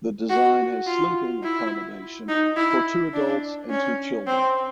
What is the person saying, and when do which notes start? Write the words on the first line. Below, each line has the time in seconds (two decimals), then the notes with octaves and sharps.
The design has sleeping accommodation for two adults and two children.
0.29 F#4
0.87 F4
1.43 E4
2.28 D#4
2.56 E4
3.14 D4
3.70 C#4
4.27 C4